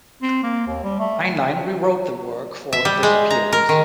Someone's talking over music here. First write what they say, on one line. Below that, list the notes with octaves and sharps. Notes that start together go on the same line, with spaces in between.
Heinlein rewrote the work for this appearance.
C4
A#3
D#2
G3
A3
E5
G3
G#3
A#5
A#4
D#3